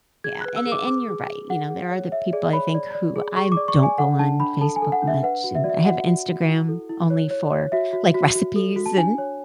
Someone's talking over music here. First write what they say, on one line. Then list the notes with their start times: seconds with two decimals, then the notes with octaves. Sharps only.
Yeah, and it and you're right, you know, there are the people I think who I don't go on Facebook much, and I have Instagram only for, like, recipes and
0.24 G#4 G#6
0.41 B4 F#6
0.56 E6
0.66 G#4
0.72 D6
0.87 G#4 D6
1.08 G#4
1.28 G#4
1.49 G#4 F#5
1.70 G#4
1.91 C#5
2.12 C#5 E5
2.33 G#4 D5
2.53 C#5 B5
2.74 D5
2.94 D5
3.16 G#4
3.36 G#4 C#6
3.52 D6
3.57 D5
3.68 C#6
3.79 D5 G#5
3.98 A4 F#5
4.19 D4 A5
4.40 D4 B5
4.61 A4 A5
4.76 G#5
4.82 A4
4.92 F#5
5.02 D4
5.08 E5
5.23 B4 F#5
5.44 F#4
5.55 E5
5.64 F#4 D5
5.70 E5
5.85 F#4 F#5
6.07 F#4
6.28 F#4
6.48 E4
6.69 A4
6.89 E4
7.10 C#5
7.30 C#5
7.52 C#5
7.72 F#4 E5
7.93 F#4
8.14 F#4
8.35 F#4
8.56 A4
8.76 F#4
8.86 A5
8.97 D4 G#5
9.18 C#5